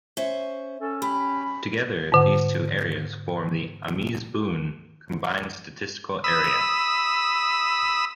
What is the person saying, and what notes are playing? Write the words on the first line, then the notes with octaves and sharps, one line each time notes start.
Together, these two areas form the Ames-Boone Combined Statistical Area.
C#4 C5 E5
C#4 A4
G4 B5
G#2 D3 F#5
B5 D#6 E6